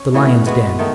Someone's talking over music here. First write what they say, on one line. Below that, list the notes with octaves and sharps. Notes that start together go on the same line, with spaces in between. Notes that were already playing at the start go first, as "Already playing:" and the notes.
The Lions' Den.
Already playing: C#4
A2 E3 B3 F#4
G#3 B3 F#4
D#3 A3 D#4